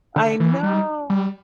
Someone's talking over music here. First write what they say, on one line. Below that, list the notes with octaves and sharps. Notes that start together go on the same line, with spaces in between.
I know,
D3
E3
G3
G3